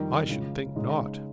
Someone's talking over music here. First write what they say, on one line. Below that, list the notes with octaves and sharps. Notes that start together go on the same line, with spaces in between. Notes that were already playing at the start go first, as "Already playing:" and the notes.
"I should think not."
Already playing: F2 D#3 G3
C#3 G#3 C#4 F4
C#3 G#3 D#4